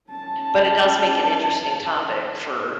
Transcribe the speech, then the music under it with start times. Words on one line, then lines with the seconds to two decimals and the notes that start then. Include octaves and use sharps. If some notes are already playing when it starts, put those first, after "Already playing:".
but it does make an interesting topic for
0.10 C#4 A5